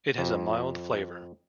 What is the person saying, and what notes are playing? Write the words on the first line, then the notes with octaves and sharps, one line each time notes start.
It has a mild flavour.
F2